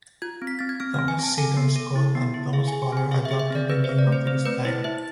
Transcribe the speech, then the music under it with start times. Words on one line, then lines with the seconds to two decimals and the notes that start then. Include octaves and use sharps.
Thomas Seaton Scott and Thomas Fuller adopted the Neo-Gothic style.
0.22 F4 G#6
0.42 C4
0.47 B6
0.59 C4 A6
0.69 G#6
0.80 C4 F6
0.94 C4 F6
1.08 G#5
1.19 C4 A5
1.38 A4 G#5
1.57 B3
1.76 A4
1.95 E4
2.15 B3
2.34 E4
2.53 G#4 F5
2.68 G#4 G#5
2.82 G#5
2.92 C4 G#5
3.11 G#4 F5
3.25 E5
3.31 G#4
3.39 E5
3.50 C4 D5
3.69 C4 B4
3.84 C4 C5
3.99 D5
4.07 A3
4.12 C5
4.27 C4 C5
4.46 A3 B4
4.65 E4 C5
4.84 E4 E5